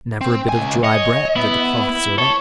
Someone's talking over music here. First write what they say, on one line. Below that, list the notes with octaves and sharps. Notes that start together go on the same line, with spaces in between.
But never a bit of dry bread did the cloth serve up.
C4
C#2 G#5
C#5 D#5
B3 E4
A4 C#5